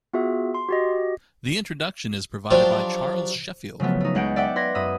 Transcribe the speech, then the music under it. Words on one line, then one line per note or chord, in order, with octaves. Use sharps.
The introduction is provided by Charles Sheffield.
B3 F4 F#4 G#4 E5
C6
F#4 G4 D#5
F3 F#3 D4 G4 C5
C#3 F3 F#3 A3 B3
A3 D#4
C#2 G#3 F#5 G6 D7
D5 E5 F#5 G5 D6
B4 C6 G#6 A#6
F#2 E5 B5 D#6